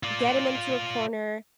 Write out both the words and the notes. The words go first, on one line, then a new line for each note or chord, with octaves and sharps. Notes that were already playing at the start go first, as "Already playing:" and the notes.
get him into a corner,
F4 D5